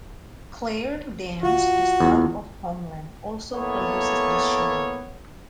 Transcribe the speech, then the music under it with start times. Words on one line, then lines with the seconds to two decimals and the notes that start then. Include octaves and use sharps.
Claire Danes, the star of "Homeland", also produces the show.
1.43 D2 F4 F#4
2.00 E2
3.53 A#3 B3 E4 A4 C#5